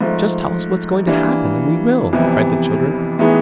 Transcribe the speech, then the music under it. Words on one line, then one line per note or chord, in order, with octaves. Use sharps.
"Just tell us what's going to happen, and we will," cried the children.
G#2 F3 A3
E3 G3 A#3 D4
F2 C3 E3 G3 B3
A2 E3 G#3 B3 D#4